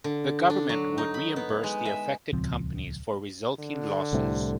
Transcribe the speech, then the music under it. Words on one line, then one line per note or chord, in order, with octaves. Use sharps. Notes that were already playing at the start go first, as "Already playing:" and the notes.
The government would reimburse the affected companies for resulting losses.
D3
D4
F#3
D#4
B5
B3
G#3
E5
D#1 C#2 F3 C4
D3
C2 A2 C3